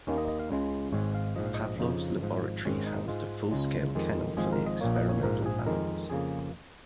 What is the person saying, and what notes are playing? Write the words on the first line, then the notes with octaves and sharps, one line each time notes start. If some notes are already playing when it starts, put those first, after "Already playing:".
Pavlov's laboratory housed a full-scale kennel for the experimental animals.
D#2 D#3 A#3 C#4
D#5
D#5
F5
C#2 C#3 G#3
G#1 G#2 G#3 C#5
F5
A#1 G#2 F3 D#5
F5
D#5
F2 C#3 F3 D#4
G#1 G#2 F3
G#1 G#2 D#3 G#3 C#4
D#4
G#2 G#3 F4
C#2 C#3 G#3
F2 D#3 G#3
G#1 G#2 F3 G#3 G#4
A#4
D#5
A#1 A#2 A#3 C#5
D#5
C#5
A#1 G#2 F3 A#4
G#4
F2 D#3 G#3 A#4
F2 C#3 A#3 G#4